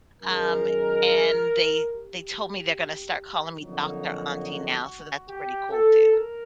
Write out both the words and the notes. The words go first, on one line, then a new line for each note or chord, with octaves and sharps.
um, and they they told me they're gonna start calling me Doctor Auntie now, so that's pretty cool too.
F#2 D#3 G#3 A#4
G4
F2 D3 F#3 A#3 D#4 F#4
G4
A4
A#4